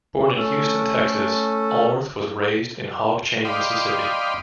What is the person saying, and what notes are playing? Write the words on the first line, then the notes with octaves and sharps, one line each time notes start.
Born in Houston, Texas, Alworth was raised in Hog Chain, Mississippi.
A3 C#4 A4
D5 D#5 F5 G5 B5 C6